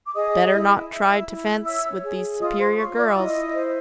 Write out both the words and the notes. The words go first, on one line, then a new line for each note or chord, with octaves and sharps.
Better not try to fence with these superior girls.
D6
G#4 D#5 D#6
E4
E4
E4
C#5 E5 E6
G#4
F4 D#5 D#6
C5 C6
F4 C#5 C#6
D5 D6
E6
E4 D#5 D#6
C5